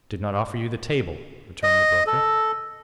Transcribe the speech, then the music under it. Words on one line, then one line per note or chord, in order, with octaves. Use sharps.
"I did not offer you the table," returned the broker.
D#5
A4